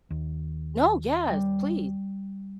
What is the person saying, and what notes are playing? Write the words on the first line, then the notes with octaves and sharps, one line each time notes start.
No, yes, please.
D#2
G3